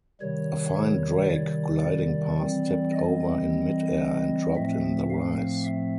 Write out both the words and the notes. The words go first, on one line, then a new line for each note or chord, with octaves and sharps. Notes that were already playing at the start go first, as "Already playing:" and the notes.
A fine drake gliding past tipped over in midair and dropped in the rice.
C3 D#3 G3 C#5
D5
D5
E3 G3 C4
D#5
A2 F3 A3 C4 E5
F5
E5